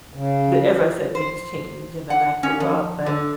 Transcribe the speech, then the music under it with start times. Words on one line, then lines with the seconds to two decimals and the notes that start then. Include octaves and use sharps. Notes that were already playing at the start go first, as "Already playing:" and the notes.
But, as I said, "Things change, and then I grew up." But
0.14 C#3
1.15 C5
2.10 F#5
2.43 C#4
2.60 F3
3.06 D3